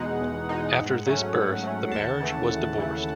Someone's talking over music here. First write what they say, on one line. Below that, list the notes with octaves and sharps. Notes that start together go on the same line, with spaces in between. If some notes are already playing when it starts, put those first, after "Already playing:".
After this birth the marriage was divorced.
Already playing: E2 B2 G#3 D#4 F#5
E2
B2 G#3 D#4
G#2
F#3 A3 C#4
G#2
F#3 A3 C#4
D#2 A5
C#3 E3 A3
D#2
C#3 E3 A3